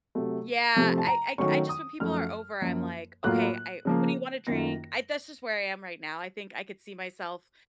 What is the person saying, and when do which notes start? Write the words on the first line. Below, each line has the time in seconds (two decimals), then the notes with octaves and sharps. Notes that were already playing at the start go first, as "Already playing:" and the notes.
Yeah, I I I just when people are over, I'm, like, "Okay, I what do you wanna drink?" I that's just where I am right now, I think I could see myself
0.15 C3 F#3 A3
0.76 C3 F3 A3 C4
0.98 A5
1.07 A#5
1.38 D#3 F#3 A3 C#4 C#6
1.69 D#6
2.00 F#2 F3 A3 F6
2.62 F#2 F3 A#3
3.24 A2 F#3 A#3 F4 F#6
3.85 C#3 F3 A#3
4.47 F#2 D#3 A#3 F4 A#6